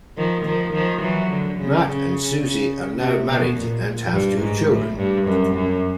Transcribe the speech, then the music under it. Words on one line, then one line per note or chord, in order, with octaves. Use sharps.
Matt and Suzy are now married and have two children.
D#3 F3
D#3 F3
D#3 F3
E3 F#3
D3
C#3
C#3
C#3
C3
B2
A#2
G2
G#2
A2
G2
F#2
F#2